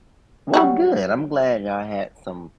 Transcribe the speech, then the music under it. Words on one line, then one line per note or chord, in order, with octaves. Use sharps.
Well, good, I'm glad I had some,
F#3 G3 F#4